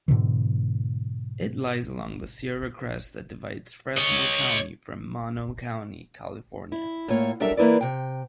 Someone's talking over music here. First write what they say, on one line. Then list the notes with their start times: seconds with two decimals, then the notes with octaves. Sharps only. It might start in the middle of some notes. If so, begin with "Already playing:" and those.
It lies along the Sierra Crest that divides Fresno County from Mono County, California.
0.08 G#2 B2 D3 E3
3.98 C#5 D#5
6.72 E4
7.08 A2 A#3 F4 C#5
7.40 F#3 G3 D4 A4 A#4 E5
7.57 E3 A#3 E4 B4 D5
7.81 C3 G5